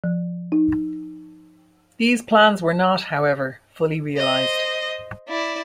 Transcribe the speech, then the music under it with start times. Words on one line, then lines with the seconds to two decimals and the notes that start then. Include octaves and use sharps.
These plans were not, however, fully realised.
0.04 F3
0.52 D#4
4.15 C5 D#5
5.28 E4 D5